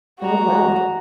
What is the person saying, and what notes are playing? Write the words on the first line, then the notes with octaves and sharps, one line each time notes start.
Oh, wow.
F#4 A#5